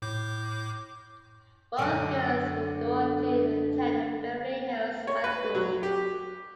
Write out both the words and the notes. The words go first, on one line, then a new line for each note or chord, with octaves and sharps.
Both girls would go on to attend Beverly Hills High School.
A2 D6 G6
F#2 D3
C#5
B4
F#3
G4